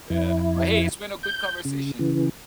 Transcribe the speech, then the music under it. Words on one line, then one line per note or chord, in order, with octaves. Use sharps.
Yeah. But hey, it's been a good conversation.
F2 E4
G6
C#3
C#3 E3